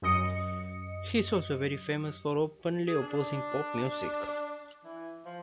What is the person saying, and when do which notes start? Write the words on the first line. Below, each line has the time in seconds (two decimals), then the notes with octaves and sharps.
He is also very famous for openly opposing pop music.
0.02 F#2 D#5 C#7
2.87 G#4
3.01 D4
4.84 E3
5.25 F3